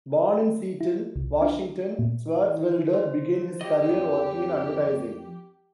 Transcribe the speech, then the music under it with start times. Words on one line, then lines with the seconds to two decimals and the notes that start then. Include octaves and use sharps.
Born in Seattle, Washington, Swartzwelder began his career working in advertising.
0.81 E4
1.16 C2
1.42 D4
1.99 A#2
2.93 C5
3.61 G4 D#5
3.89 F2